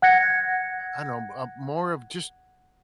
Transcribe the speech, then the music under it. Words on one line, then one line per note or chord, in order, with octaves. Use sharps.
I don't know uh, a more of just
F#5 F#6 G#6 A#6 C#7